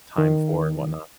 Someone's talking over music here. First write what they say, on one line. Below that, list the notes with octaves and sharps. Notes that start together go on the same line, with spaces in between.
time for and whatnot.
D#3